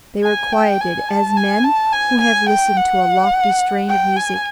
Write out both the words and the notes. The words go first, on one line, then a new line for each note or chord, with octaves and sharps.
They were quieted as men who have listened to a lofty strain of music.
G#5
G5
G#5
A5
G#5
A5
G#5
G#5
G5
F#5
G5
G#5